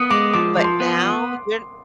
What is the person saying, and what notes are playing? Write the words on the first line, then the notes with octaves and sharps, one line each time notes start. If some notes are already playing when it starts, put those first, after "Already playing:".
But now you're
Already playing: B3 D#6
G#3 D6
F3 D6
F3
C6
B3